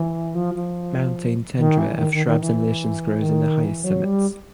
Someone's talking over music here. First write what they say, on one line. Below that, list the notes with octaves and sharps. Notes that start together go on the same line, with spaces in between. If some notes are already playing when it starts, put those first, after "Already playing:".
Mountain tundra of shrubs and lichens grows in the highest summits.
Already playing: E3
F3
F3
D#3
E3
D#3
D#3
D#3
E3
D#3
E3
F#3
G3